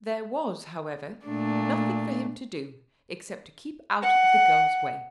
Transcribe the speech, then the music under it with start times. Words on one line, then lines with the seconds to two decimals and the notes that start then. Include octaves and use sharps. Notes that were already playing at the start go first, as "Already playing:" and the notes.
There was, however, nothing for him to do except to keep out of the girl's way.
1.26 A#2 A3 D4
4.02 F#5